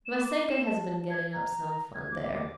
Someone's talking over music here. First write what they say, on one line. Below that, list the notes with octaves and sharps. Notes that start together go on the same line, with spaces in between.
Vassenka has been getting up some fun there.
E7
D6
E7
A5
A5
G#6
A#5
G#6
D6
D6